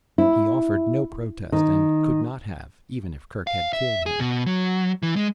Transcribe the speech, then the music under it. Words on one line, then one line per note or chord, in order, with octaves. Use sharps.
He offered no protest and could not have even if Kerk had killed him.
E4
D#3
F5
E5
G#4
B2
F#3
E3
G#3